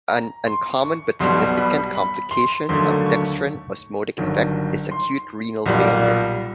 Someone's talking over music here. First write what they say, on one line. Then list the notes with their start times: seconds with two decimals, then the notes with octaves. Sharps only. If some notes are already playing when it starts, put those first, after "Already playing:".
An uncommon but significant complication of dextran osmotic effect is acute renal failure.
0.09 A#5
0.47 C6
0.83 C#6
1.20 B1 B2 G3 C6
1.57 B5
1.95 B5
2.31 C6
2.69 D#2 D3 F#3 A3 C6
3.06 C#6
4.18 G1 G2 D#3 F#3
4.91 C6
5.66 B1 A#2 G3